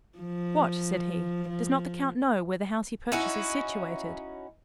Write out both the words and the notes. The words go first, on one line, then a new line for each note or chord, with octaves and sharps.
"What!" said he, "does not the count know where the house he purchases is situated?"
F3
F3
C#4 D#4 E4 F#4